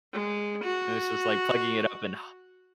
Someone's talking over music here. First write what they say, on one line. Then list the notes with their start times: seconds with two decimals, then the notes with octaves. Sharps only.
this is like plugging it up and h
0.13 G#3
0.64 F#4